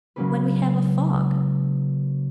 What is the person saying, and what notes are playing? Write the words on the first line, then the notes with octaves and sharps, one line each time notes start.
"When we have a fog."
C#3 F#3 G#3 A#3 C#4 B4